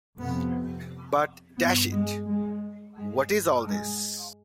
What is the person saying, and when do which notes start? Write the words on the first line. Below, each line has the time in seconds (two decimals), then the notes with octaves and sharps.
But, dash it, what is all this?
0.18 F2 C3 B3
1.57 G2 B3
1.91 G#3
2.25 G#3
2.95 G2 G#3
3.64 G#3